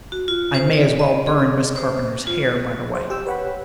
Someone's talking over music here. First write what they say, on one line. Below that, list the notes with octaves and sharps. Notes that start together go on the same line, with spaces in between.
I may as well burn Miss Carpenter's hair, by the way.
F#4
F4
C5
D5
D#5
G#4
C5
F4
C5
G4 G5 E6
B4 C#5 F#5 G5 B5